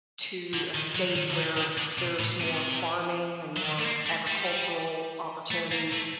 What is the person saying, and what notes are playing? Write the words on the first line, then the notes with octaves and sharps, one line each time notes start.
to a state where there's more farming and more agricultural opportunities
D3
D#3
F#3
D#3
D3
D#3
D3
D3
C3
A2
C3
F#3
D#3
A3
A#3
A3
G3
A3
A#3
A3